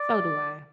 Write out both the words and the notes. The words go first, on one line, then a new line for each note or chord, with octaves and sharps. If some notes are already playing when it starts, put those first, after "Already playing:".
So do I.
Already playing: D5